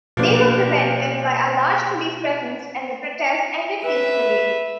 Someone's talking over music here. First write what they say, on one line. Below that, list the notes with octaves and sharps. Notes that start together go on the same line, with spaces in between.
They were prevented by a large police presence and the protest ended peacefully.
B2 F3 A#3 B3 D4 G4
B4 E5